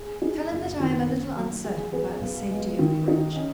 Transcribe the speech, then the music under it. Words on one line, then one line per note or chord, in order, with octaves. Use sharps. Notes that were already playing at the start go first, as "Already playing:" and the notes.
"Tell him that I am a little uncertain about the safety of the bridge."
Already playing: G#4
D#4
F#1
D#3
C#4
F#3
G#4
B3
B1
G#3
D#3
D#4
C#4